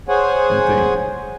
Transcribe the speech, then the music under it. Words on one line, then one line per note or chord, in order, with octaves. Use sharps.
and think
G#4 C5 C#5 F#5 G#5